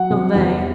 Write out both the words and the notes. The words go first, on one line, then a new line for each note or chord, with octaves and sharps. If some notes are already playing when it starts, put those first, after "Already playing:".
Not they!
Already playing: F#3 F#5
C3
E2